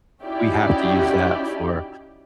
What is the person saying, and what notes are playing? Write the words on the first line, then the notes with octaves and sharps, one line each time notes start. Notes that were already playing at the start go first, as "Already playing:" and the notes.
we have to use that for,
C#4 D#4 E4 F#4 G4 D5